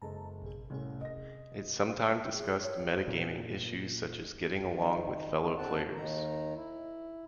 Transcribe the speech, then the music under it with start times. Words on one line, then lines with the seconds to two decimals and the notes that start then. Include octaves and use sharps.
It sometimes discussed "meta-gaming" issues, such as getting along with fellow players.
0.02 F#1 G#3 A4 A5 A#5
0.42 G#1 B2 G#4
0.70 C2 A2 C3 C#4 G#4
1.01 D#5 A#6
2.35 G#4
2.62 C#5
3.08 A#2
4.69 D#3
5.57 D3 C4 F#5 A5
5.95 D#2 D#3 A#5
6.56 E4